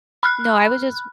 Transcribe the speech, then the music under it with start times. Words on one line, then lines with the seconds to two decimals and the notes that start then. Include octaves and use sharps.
No, I was just
0.23 B5 F6 F#6